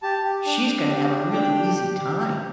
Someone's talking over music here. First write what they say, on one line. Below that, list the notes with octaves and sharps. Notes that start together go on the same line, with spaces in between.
she's gonna have a really easy time.
G4 A5
G4
D4
D4
G4
D4
D4 G5
G4
G4
G4
G4